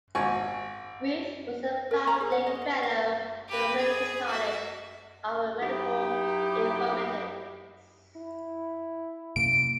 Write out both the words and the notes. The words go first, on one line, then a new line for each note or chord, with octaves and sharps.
Ruth was a founding Fellow of the American College of Medical Informatics.
G#1 G#5 C#6
A#4
A#5
G#4
F#5
D#5
F#5
F5
G4 B4
G#4
F#4 E5
F#3 D#4 E4 G4
E4
F#2 C3 A#3 D7